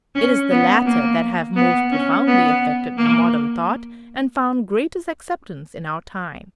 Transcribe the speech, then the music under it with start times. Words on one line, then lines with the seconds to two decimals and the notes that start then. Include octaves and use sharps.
It is the latter that have most profoundly affected modern thought and found greatest acceptance in our time.
0.15 C#4
0.51 B3
0.86 A#3
1.56 B3
1.92 C#4
2.27 B3
2.98 A#3